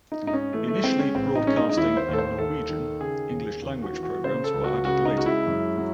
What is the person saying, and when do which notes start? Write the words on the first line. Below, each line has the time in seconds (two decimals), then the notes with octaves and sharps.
Initially broadcasting in Norwegian, English-language programs were added later.
0.12 D#4
0.22 G#2
0.27 D#4
0.33 C#4
0.53 E3 A3
0.68 A3
0.84 G#3 C4
0.99 C#4
1.15 A1 C4
1.35 D#4
1.46 G#3 C#4
1.57 D#4
1.69 D#4
1.76 D#2 E4
1.97 C5
2.08 D#2
2.13 A4
2.18 C5
2.38 D#2 A4
2.69 D#3
3.00 C#3 G#4
3.31 D#2
3.62 D#2
3.82 F#4
3.93 E3
4.03 F#4
4.24 C#3 C5
4.44 A4
4.54 C#2
4.64 F#4
4.85 C#3 F#4
5.05 D#4
5.17 G#3 F#4
5.26 E4
5.47 F#2
5.77 F#3